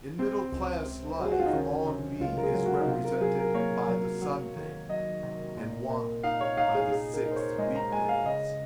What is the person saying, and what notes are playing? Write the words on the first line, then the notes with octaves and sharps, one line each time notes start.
In middle-class life ennui is represented by the Sunday, and want by the six week-days.
C3 C4
C#2
C3
F#3 G#4
F#4
F4
D#4
D#3 C#4
C3
C#2 F4
A#4
G#4
F#3
F#4
D#4
C3 F4
A#4
F#3 G#4
A#4
A#3 C#5
F#3
F#3
D#3
F#3 D#5
C3
A#2
A#2
D#4 F5
C#5
D#4 F5
G#4
D#4 G#4
A#4
D#4
C5
C#5
G#3 D#5
A#5
G#3 G#5
F5
C#3 D#5